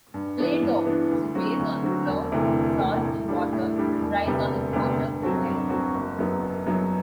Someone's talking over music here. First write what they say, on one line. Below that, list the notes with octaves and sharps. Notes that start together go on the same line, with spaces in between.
Play-Doh, which is based on flour, salt and water, dries on exposure to air.
G2
E3 B3 D4
G2
E3 B3 D4
D2
D3 F#3 C4 F#4
D2
D3 F#3 C4 F#4
E1
D2 C3 E3 A3
E1
D2 C3 E3 A3
A2
G3 D4 A4
A2
G3 D4 A4
E1
D2 C3 G3 B3
E1
D2 C3 G3 B3
G2
F#3 C4 F#4 A4
G2
F#3 C4 F#4 A4
F#1
F#2 F#3 B3
F#1
F#2 F#3 B3